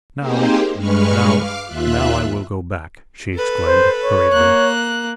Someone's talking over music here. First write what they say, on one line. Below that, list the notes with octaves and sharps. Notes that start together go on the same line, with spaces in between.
"Now--now--now I will go back," she exclaimed, hurriedly.
A#3 C4 D#4 G4 G#4 C5
G2 G#3 B4 C#6 F6
F5 D6 F6
D#2 F4 E5 F#6
A4 B4
C5
C#5
A#3 F#6